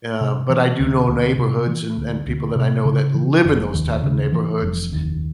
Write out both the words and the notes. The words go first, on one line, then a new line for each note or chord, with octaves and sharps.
uh, but I do know neighborhoods a and people that I know that live in those type of neighborhoods,
C3
E3
D2
D2
C3
E3
D2
D2
C3
C#3
E3
F1
D#2
C#3
E3
F1
D#2